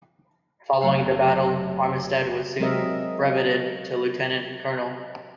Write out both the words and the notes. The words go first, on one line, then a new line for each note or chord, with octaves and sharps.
Following the battle, Armistead was soon breveted to lieutenant colonel.
F#1 F#3 A3 C#5 F5
F#3 G#3 C4 A#4 D#5 E5